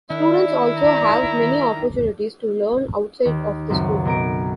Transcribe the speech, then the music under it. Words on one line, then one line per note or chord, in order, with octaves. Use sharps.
Students also have many opportunities to learn outside of the school.
D#3 D4 E4
D5 A#5
D#2
C#2 F#2 C4 C#4
B1 A#4 D7